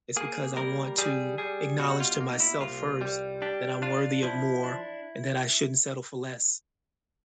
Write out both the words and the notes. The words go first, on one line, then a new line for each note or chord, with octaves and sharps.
is because I want to acknowledge to myself first, that I'm worthy of more and that I shouldn't settle for less
A#3 G#4
G3 A#4
G3 G#4
G3 G#4
B2 F#4
F#4
F4
A#3
D#4
E4
C2 F4
G3
D4 G4
D4 F4
F3 E4
D4